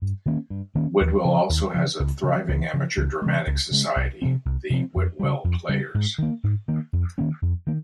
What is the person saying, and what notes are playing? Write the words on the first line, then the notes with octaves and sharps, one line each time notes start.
Whitwell also has a thriving amateur dramatics society - The Whitwell Players.
G2
D#3 A#3 C#4
G2
D#3 A#3 C#4
D#2
C#3 F3
D#2
C#3 F3
C#2
C#3 F3
C#2
C#3 F3
C#2
C#3 G#3
C#2
C#3 G#3
C2
C3 F3 C4
C2
C3 F3 C4
F2
C#3 G3
F2
C#3 G3
G#2
D#3 A#3
G#2
D#3 A#3
F2
D#3 A#3 C#4
F2
D#3 A#3